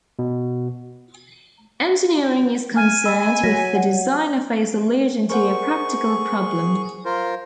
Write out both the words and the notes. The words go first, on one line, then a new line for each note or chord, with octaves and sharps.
Engineering is concerned with the design of a solution to a practical problem.
B2
G#5 F6
D#5 B5 E6
F#3 A#6 B6
F#5
G#4 A#4 C5 F#5 C#6
F4 A#4 C5